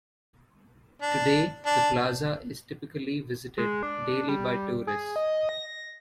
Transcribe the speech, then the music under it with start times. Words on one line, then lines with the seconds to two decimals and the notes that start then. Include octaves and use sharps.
Today, the plaza is typically visited daily by tourists.
1.02 D4
1.66 D4
3.58 G#3
3.83 D4
4.29 G3
4.87 G#4
5.16 D#5
5.49 A#6